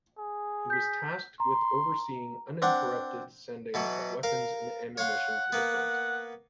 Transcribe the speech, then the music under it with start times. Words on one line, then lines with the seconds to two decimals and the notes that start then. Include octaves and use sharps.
He was tasked with overseeing uninterrupted sending of weapons and ammunition to the front.
0.18 G#4
0.70 G6 B6
1.40 A#5 C6
2.62 C4 D4 F#5
3.74 B2 E3 F#3
4.23 A#4 F5
4.97 C#5 F5 F#5 C6
5.52 A#3 B3